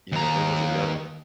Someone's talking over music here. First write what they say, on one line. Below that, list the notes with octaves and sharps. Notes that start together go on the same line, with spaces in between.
yeah, there was another
D#2 A#5